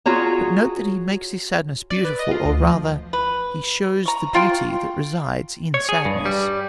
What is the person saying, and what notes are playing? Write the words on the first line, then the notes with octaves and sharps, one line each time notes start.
But note that he makes his sadness beautiful; or, rather, he shows the beauty that resides in sadness.
F4 F#4 G#4 C#5 A#5
D5
B4
D#5
F4
D2
F3
B4
A#5 C#6
A3 F4 G5 C6
C#5
G#4
G2
G3